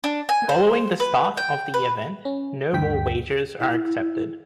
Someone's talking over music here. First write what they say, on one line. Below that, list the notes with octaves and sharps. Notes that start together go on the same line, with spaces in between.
Following the start of the event, no more wagers are accepted.
D4
G#5
C5
B4
G5
B4
C#4
D2 G2 G5 B6
E4